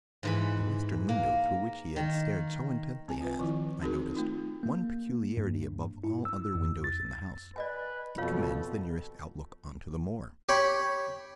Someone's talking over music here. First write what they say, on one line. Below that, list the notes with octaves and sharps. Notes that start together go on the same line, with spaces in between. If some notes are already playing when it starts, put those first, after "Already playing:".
The western window through which he had stared so intently has, I noticed, one peculiarity above all other windows in the house--it commands the nearest outlook on to the moor.
G#2 E3 B5
A#3
D#3
C4 G#5
F4 B4
D#3 F3 E4
C4 D#4 F#4 G#4 A#4
A3 D#4 F4
A#3
G2
E4
E6
F2
A6
B4 D5 D#5 G#5
F2 B2 F4 A4 C#5 F5
G4 C#5 B5